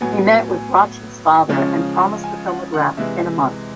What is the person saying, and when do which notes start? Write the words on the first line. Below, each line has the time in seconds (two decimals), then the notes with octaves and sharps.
He met with Rati's father and promised the film would wrap in a month.
0.01 A2 F#3 B3 G#5
1.49 C#3 F3 G#3 C#4
2.24 G#5
2.48 F#5
2.74 F#5
2.97 C3 E3 G#3 E5